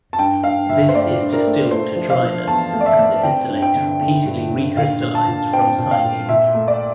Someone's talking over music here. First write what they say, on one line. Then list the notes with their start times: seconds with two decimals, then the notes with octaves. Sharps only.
This is distilled to dryness and the distillate repeatedly recrystallized from cymene.
0.13 A5
0.18 G2 G5
0.43 G2 F5
0.69 G2 E5
0.89 C5
0.95 A3 D5
1.20 G2
1.33 A#4
1.46 A3
1.71 A3 C5
1.96 F3
2.10 F5
2.22 F3
2.47 E2 A5
2.73 A3
2.81 D5
2.86 E5
2.98 A3
3.23 C4 G5
3.49 G2
3.62 G5
3.75 D3
4.01 D3
4.25 G2
4.51 D3
4.77 A#2 F5
5.02 A#2
5.15 A5
5.28 A#2
5.53 C4 G5
5.78 A#2
5.91 F5
6.04 A#2
6.29 A#2 E5
6.54 A3
6.68 D5